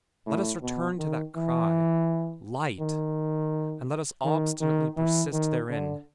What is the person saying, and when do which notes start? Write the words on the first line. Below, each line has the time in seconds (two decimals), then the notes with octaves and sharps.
Let us return to that cry: Light! and let us obstinately persist therein!
0.27 A2
0.62 B2
0.99 D#3
1.36 E3
2.79 D#3
4.24 D#3
4.60 D#3
4.97 E3
5.33 D#3
5.69 D3